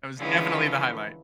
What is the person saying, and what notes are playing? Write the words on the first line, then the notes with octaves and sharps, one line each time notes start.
That was definitely the highlight.
D3 E3 F3 G#3 C#4